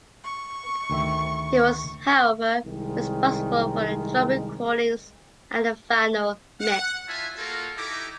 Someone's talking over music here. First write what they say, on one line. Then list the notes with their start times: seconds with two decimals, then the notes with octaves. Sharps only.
He was, however, responsible for the drum recordings and the final mix.
0.24 C#6
0.90 D2 D#3 E5
2.65 C2 D#3 G#3
6.60 F#5
7.08 E4 F4 C#5 E5 G#5 A5
7.38 A#3 F4 F#4 A4 A#4
7.76 D#4 E4 G4 A4 A#5 D6